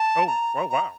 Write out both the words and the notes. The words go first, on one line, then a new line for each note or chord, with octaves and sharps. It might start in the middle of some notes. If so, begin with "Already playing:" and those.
Oh, oh, wow.
Already playing: A5
A#5
A#5